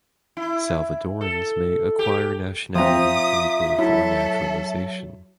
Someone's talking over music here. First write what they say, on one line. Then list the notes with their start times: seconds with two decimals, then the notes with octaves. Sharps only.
Salvadorans may acquire nationality through birth or naturalization.
0.37 E4
1.21 A4
1.99 G4
2.75 F3 C4 F4 E5 A#5 D#6
3.79 F#3 E4 A4